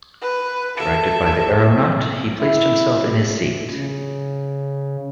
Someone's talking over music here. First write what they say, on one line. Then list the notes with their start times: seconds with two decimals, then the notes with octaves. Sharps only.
Directed by the aeronaut he placed himself in his seat.
0.22 B4
0.77 A4 E5
2.39 E4
3.72 C#3